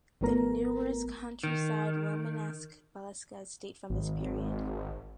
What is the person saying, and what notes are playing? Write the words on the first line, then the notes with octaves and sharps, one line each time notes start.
The numerous countryside Romanesque basilicas date from this period.
G#1 F3 A3 B3 A#4 A#5
D#3
G#1